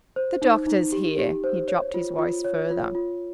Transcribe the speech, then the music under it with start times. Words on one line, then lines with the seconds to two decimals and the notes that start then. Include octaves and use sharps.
"The doctors here." He dropped his voice further.
0.16 C5
0.42 D#4
0.67 D#4
0.92 G4
1.18 G4
1.44 C5
1.68 C#5
1.94 F4
2.19 F4
2.45 C#5
2.70 F4
2.95 F4